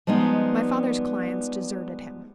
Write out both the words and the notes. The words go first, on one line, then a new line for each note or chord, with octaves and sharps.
My father's clients deserted him.
F3 G3 G#3 B3 D#4